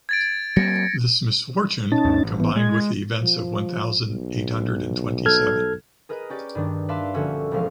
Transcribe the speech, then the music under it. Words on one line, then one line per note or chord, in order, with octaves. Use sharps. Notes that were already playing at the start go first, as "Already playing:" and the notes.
This misfortune combined with the events of one thousand eight hundred and twenty-seven.
G#6 A6 D7
F#3 A#3 C4 A#6 C#7
C#4 D#4 A5
D2 G2
A1
E3 B3
G#3 G#6
F3
B1
A4 F6 G#6
G#4 A#4 B4 D#5
C#4 G4 D5
G2 D#3 D4
B4 D5 E5 F5 A5 C6
A#1 D3 C#4 F#4 C#5 E6
E1 A#1 F3 G#3 F5